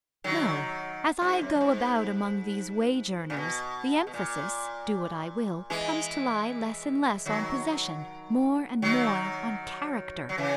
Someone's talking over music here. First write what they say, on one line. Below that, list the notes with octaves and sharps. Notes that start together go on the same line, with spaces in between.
No!--as I go about among these wage-earners, the emphasis--do what I will--comes to lie less and less on possession--more and more on character.
D#3 F#3
G#2
F#2
F#2
G#2
A#2
B2
B2
A#2
E3 G#3
D#3 F#3
D#3 F#3
F#3
C#3 E3